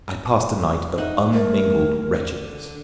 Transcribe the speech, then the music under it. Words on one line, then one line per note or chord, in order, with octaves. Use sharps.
I passed a night of unmingled wretchedness.
D#4 E5 F#5
A3 A#4
D3